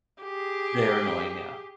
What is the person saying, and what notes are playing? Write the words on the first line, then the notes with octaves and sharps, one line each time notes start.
They're annoying, yeah.
G4 G#4